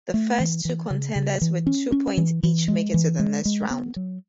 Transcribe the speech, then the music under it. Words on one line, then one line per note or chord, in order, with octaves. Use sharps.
The first two contenders with two points each make it to the next round.
A3
E3
E3
C#3
C#3
E3
C#4
C#4
E3
E3
G#3
E3
G#3
G#3
B3
F#3